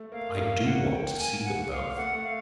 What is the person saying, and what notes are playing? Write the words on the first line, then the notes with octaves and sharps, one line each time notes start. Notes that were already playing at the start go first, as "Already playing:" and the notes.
"I do want to see them both."
Already playing: A3
A#3 F5
A#3
A3 F5
A#3 F#5
G5
G#5
F#5
F5
A3 F#5
A3
F5